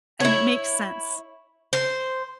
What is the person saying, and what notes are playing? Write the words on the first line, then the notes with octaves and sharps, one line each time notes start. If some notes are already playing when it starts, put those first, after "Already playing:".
and it makes sense.
E4 C#5
C5